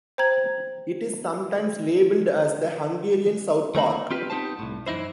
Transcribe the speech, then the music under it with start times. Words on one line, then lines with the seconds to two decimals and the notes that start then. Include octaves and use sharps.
It is sometimes labelled as the Hungarian South Park.
0.18 C5 G5 A#5 G#6 F#7
3.75 D#3 A3 A#3 B5
4.11 C4 F4 G4 B4
4.30 B3 C4 D#4 G4 C5 A5
4.59 C2 A2
4.86 F#2 E3 D#4 E4 C5